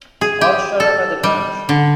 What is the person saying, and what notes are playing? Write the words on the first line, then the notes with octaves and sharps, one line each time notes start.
All’s shut up at the Grange.
G#4
G4
A4
G3
D3